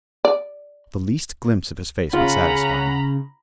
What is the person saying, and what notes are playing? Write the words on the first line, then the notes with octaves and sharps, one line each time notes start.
The least glimpse of his face would satisfy me.
D5
C#3 C#4 F4 F#5 A#5 B5